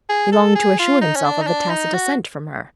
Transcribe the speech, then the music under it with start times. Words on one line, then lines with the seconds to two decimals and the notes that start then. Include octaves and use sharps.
He longed to assure himself of a tacit assent from her.
0.09 G#4
0.32 A4
0.55 G#4
0.79 F4
1.02 D#4
1.16 C#4
1.25 D4
1.42 D#4
1.47 D4
1.70 D#4
1.94 F#4